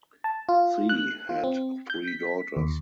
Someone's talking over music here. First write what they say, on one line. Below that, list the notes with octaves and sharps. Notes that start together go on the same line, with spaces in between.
Tsi had three daughters.
A5
F4
F#6
F4
C4
G6
B6
D#2